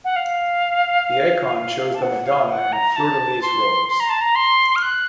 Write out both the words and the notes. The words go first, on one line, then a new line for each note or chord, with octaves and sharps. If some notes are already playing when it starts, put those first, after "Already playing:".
The icon shows the Madonna in fleur-de-lis robes.
F#5
F5
A5
F#5
F5
F#5
A#5
A5
C6
C6
A#5
A5
A#5
C6
F6
F#6